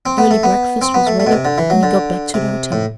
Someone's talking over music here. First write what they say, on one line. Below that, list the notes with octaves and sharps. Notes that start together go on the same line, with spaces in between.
Early breakfast was ready when he got back to the hotel.
C4
B3
A3
B3
C4
B3
A3
A3
B2
C3
D3
E3
F#3
D3
C3
A2